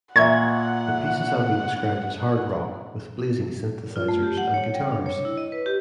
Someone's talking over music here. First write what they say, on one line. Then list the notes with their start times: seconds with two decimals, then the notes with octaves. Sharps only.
The pieces have been described as "hard-rock" with "blazing synthesizers and guitars".
0.16 A#2 E5 F#5 C#6 G#6
3.96 F4
4.08 A3
4.23 G4
4.37 F#5
4.54 C#5
4.75 G3
4.92 D4
5.06 C#5
5.25 E4
5.37 D#5
5.52 B4
5.66 G4